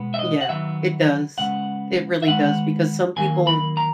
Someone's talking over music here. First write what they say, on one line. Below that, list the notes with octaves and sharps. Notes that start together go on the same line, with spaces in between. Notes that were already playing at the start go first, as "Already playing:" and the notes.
Yeah. It does. It really does, because some people
Already playing: B2 G#3 B3
E5
D#5
F#5
D#3 F#3 B3 E5
C#3 G#3 B3 F#5
E5
D#3 G#3 B3 F#5
D#3 F#3 A#3 G#5
B5
A#5